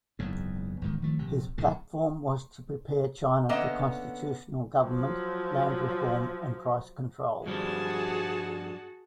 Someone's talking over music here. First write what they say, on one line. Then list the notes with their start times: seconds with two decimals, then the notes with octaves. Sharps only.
His platform was to prepare China for constitutional government, land reform and price control.
0.19 F#1 E2 G#2
0.81 E2 G#2 D#3
1.02 D#3 F3 A3
1.18 A#1 C3
1.58 B1 A2 D3
3.49 D3 A#3 B3 C#4 D#5 E5
4.81 F3 F#3
7.46 G2 F3 G3 F#4 G#4 A5